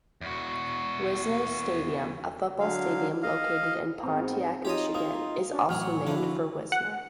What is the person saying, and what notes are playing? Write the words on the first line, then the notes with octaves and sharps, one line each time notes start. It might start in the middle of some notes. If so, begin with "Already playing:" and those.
Wisner Stadium, a football stadium located in Pontiac, Michigan, is also named for Wisner.
E2 F#4
D3 F#3 F5
D#5 F5
G#2 B3 C4
D#4 F4 G4 C#5 D#5
A#3 D#6
C#4 D4
A1 F#3 C4 C#5 F6
D3 F3 D4 E4 F#4
F#5